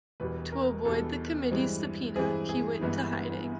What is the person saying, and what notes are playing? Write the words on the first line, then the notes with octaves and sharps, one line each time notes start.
To avoid the committee's subpoena, he went into hiding.
E1 E2 B2 G3 B4
A#4
E1 E2 B2 G3 A4
G2 E3 G#3 C4
G2 E3 G#3 C4 G#4
G#4
G1 G2 E3 G#3 B3